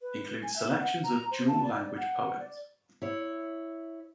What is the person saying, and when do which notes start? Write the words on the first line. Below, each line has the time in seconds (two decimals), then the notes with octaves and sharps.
Includes selection of dual-language poems.
0.01 B4
0.43 G#5
0.56 E5
0.80 F#5
1.04 A#5
1.31 C5
1.48 A5
1.64 D5
1.97 F#5
2.39 D5
3.02 E4 C#5